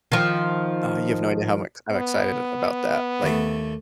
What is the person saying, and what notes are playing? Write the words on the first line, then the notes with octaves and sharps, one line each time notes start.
Uh, you have no idea how I'm ex I'm excited about that. Like
D#3 F3
B3
D#2 A3